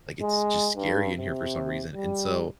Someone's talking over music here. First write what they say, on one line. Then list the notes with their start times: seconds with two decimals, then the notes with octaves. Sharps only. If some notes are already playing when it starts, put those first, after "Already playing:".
like, it's just scary in here for some reason." And so,
0.22 G#3
0.77 G2
1.18 C3
1.94 G3